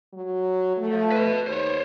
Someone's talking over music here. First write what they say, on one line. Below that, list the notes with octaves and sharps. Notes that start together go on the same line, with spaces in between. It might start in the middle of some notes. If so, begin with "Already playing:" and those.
Yeah, yeah.
F#3
A3
B4 D#5
D#2 C5 C#5